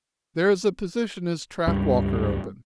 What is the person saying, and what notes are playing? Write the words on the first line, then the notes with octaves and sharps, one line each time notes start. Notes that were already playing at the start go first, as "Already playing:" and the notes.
There is a position as track-walker open.
C#2 G2 G3